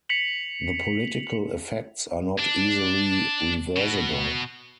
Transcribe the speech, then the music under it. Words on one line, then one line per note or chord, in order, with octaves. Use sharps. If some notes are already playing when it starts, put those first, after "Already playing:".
The political effects are not easily reversible.
B6 C#7 F7 F#7
D4
B2